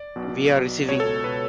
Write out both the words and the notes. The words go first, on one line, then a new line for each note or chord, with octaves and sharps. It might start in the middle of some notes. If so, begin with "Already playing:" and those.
We are receiving.
Already playing: D5
B1 B2
B1 B2
C#2 B2 C#5
A4
B2 B4